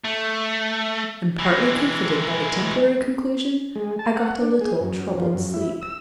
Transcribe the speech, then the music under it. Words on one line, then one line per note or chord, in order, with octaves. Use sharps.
And partly comforted by the temporary conclusion, I got a little troubled sleep.
A3
E3 G#3
G#3
A5
F#5
D4
G#4
F#2
F3
F#2
E4
E6